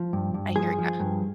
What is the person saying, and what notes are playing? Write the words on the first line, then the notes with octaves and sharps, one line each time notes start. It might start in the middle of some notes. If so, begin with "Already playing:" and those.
I hear ya.
Already playing: F3
G2
G2
F3 G#4
F3
G2